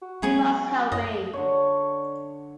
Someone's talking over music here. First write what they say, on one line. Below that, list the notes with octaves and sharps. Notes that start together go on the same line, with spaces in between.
You must help me.
F#4
F#3 G#3 B3 E4 G#4 C#6
F#2 A2 D#5
D3 C#5